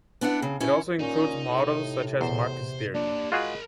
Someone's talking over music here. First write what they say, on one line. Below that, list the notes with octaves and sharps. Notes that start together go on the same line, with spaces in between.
It also includes models such as Marcus theory.
B3 D4 E4 F#5
C#3 C4
C#4 E4
A#2 C#4 D#4
A2 C3
E2 C5
A#3 D4 G4
G#3 F4 F#4 G#4 A#4 B5